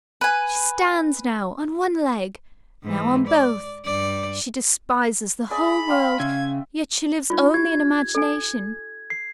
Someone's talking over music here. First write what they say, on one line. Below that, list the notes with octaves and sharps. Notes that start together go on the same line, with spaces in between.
She stands now on one leg, now on both; she despises the whole world; yet she lives only in imagination.
B4 G#5
G#2 E3
D5
G2 D5
G#4 D5 E5 B5
F5 G5 C6
C#3 E5 G#6
D#4 F4
G4 G#6
A4 G#5
C7